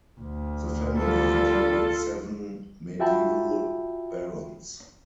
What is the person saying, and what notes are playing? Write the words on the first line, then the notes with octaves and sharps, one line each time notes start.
The family included seven Medieval Barons.
D2
G3 F4 A4
F4 F#4 E5 G5 A5 B5